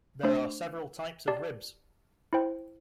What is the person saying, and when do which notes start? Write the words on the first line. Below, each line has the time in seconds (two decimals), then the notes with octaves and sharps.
There are several types of ribs.
0.23 A3 D4 C5
1.28 G4 D5 A5
2.33 E4 C5 G5